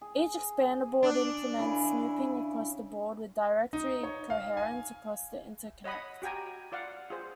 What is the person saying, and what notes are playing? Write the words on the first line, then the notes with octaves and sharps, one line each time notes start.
Each expander board implements snooping across the board, with directory coherence across the interconnect.
G#4
D4
C#3 E4 G#5
E5
D#4
C#5
F5
G#5
C#5 D#5 F#5 B5 D#6
F#4 G4 G5 G#5 A#5
F4 D5 F5 F#5
F4 G#4 C5